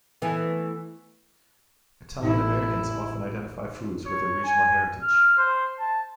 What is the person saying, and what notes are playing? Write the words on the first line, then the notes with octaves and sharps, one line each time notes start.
Italian-Americans often identify foods with their regional heritage.
E3 A3 B3
A1 E4
C#5
G#5
F6
C5
A5